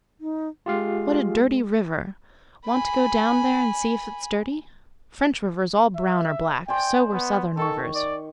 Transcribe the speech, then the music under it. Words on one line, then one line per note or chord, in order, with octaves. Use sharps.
What a dirty river--want to go down there and see if it's dirty--French rivers all brown or black, so were Southern rivers.
D#4
G#3 F4 G4 F5
G#5 B5
E5
C5 D5 G5 G#5
B3
D#3 A4 C#6
D5